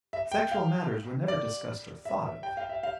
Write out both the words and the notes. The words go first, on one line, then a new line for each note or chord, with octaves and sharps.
Sexual matters were never discussed or thought of.
E5
G5
F5
D5
E5
G5
F5
E5
F5